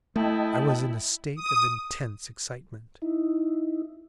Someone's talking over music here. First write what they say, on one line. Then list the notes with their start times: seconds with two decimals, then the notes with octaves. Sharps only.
I was in a state of intense excitement.
0.16 A3 E4 D#5 G5 A5
1.36 D#6
3.02 D#4 E4